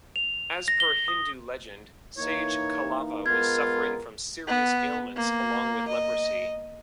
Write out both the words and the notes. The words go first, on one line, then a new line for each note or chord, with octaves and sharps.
As per Hindu legend, Sage Kalava was suffering from serious ailments along with leprosy.
F7
A#6
G7
D#6
E3 A#3 D#4 C#5
G#3 B3 F4 A#4 G#6
B3
A#3
D#5